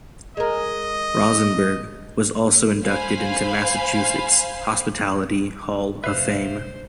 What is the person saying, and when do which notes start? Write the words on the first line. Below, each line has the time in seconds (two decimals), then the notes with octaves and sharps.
Rosenberg was also inducted into Massachusetts Hospitality Hall of Fame.
0.37 G#3 A#4 D#5
2.85 C5 F5 G#5 B5
6.04 F#1 B2 B4 C5 E5 F5 F#6